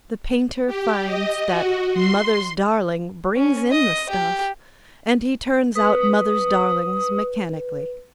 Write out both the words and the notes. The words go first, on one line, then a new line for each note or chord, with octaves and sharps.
The painter finds that "Mother's Darling" brings in the stuff, and he turns out Mother's Darlings mechanically.
G4
D#5
F#4
C6
C#4
D#5
G4
B4 D#6